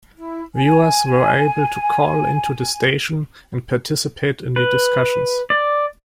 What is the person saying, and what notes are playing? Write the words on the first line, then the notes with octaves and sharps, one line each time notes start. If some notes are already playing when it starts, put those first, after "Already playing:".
Viewers were able to call into the station and participate in the discussions.
E4
G#5
B4
D5